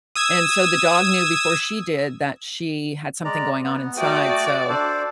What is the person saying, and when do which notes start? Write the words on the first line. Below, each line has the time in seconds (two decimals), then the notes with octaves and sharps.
and so the dog knew before she did that she had something going on inside so
0.16 D#6 E6 G#6
3.25 G#3 D5 A#5
3.64 B3
3.97 A3 F#4 D5 G5 D#6
4.69 D4 A4 C5